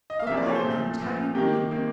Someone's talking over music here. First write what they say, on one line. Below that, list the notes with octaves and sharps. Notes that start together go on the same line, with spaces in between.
"Go to Ireland!--How do you mean?"
D#5
F5
E2 C3 F3 A#3 E5
D5
C#5
C5
A#2 F3 A3
A#2 F3 A3
C3 D#3 G3 A#3 G4
C3 D#3 G3 A#3